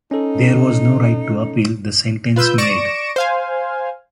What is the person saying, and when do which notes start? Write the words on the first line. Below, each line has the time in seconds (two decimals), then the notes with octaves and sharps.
There was no right to appeal the sentence made.
0.11 C#4 D#4 A4
2.36 F4 B4 E6 G6
2.58 D5 C#6 A#6 C#7 D7 E7
3.16 C5 F5 G#5